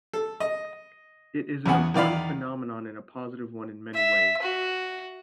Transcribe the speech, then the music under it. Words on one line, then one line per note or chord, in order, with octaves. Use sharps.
It is an important phenomenon and a positive one in many ways.
A4
D#5
E2 C#3 B3 F#5 G#5
E2 D#3 D5 F5 B5
E5
F#4